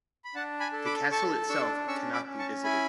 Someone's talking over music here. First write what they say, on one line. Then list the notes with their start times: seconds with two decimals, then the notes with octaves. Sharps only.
The castle itself cannot be visited.
0.25 B5
0.35 D4 F#5 A5
0.60 G#5 B5
0.73 A4
0.86 B5 D6
1.12 A4 A5 C#6
1.50 D4 C#6 E6
1.87 C#4 C#6 E6
2.13 B5 D6
2.26 C#4
2.39 A5 C#6
2.64 E4 G#5 B5